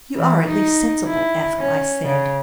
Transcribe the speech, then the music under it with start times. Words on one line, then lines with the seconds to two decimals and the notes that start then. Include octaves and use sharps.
"You are at least sensible, Ethel," I said.
0.15 E3
0.48 D#4
1.07 E4
1.59 C#4
2.05 C#3